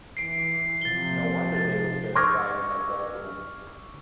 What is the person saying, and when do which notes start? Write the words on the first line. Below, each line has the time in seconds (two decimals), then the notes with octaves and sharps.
No wonder they were terrified in that dark room.
0.17 E3 C7 D7
0.82 C3 F3 A6 G7
1.55 A6
2.15 C#6 D6 E6 F6 G#6 A#6